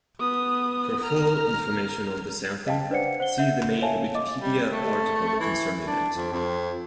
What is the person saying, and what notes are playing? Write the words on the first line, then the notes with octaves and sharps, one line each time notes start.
For full information on this anthem, see the main Wikipedia article concerning it.
B3 D#6
A#5 F6
D#5 F5 G5 A5
D4 B4 C5 D5 F#5 C#7
C5 F#5 G7
E5 F#5 G6
C#5 E5 F5 G#5 A5
D#5 D6
G3
A3
E3
D4
F2
F2